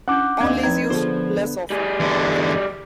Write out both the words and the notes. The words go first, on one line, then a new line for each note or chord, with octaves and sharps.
Only is used less often.
C#4 D4 E4 F#5 D6 F#6 G6
D#2 C4 D4 D5 D#5 G#6
F3 D#4 B4 G5 A#5 G#6
D3 F3 B3 F4 G#4 A4 C5
G3 G#4
E2 D3